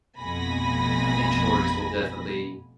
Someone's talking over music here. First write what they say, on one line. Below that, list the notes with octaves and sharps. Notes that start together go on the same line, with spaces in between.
I think chores will definitely
A1 F2 B2 G#5 B5 A#6